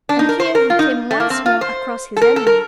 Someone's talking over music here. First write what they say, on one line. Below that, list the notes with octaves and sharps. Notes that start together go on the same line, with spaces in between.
And here he came once more across his enemy.
D4
D#4
A#4
C5
A#4
F4
D#4
A3
A#3
C4
F4
C5
A4
A#4
A4
A#4